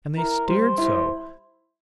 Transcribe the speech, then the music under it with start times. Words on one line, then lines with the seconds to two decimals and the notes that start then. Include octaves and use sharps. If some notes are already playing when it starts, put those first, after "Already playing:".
And they stared so!
0.17 E4 A#4
0.48 G3 C5
0.78 E4 C5